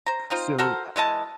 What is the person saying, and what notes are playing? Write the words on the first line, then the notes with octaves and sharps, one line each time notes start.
so I
C5 A#5
C4 D#4 F4 C5
F#4 A4 A#4 C5
E3 G#3 D#5 A5